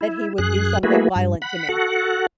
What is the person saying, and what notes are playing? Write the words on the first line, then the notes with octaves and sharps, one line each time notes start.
that he would do something violent to me.
E4
F#2 G#4 F#6
A3 A#3 E4 F#4 G#4 B4
G2
F#5 B5
F#4 A4 F#5